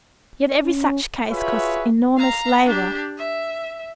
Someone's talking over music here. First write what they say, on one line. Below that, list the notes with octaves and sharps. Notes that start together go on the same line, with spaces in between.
Yet every such case costs enormous labour.
C#4
F4 F#4 G#4 B4 C#5 E5
F5 A#5
D4 G4
E5